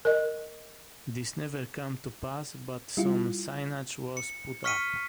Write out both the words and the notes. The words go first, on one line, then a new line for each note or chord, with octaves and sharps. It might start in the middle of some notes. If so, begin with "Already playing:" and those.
This never came to pass, but some signage was put up.
A#4 D#5
G3 E4 F4
C#7
C#6 F6 B6 C#7 D#7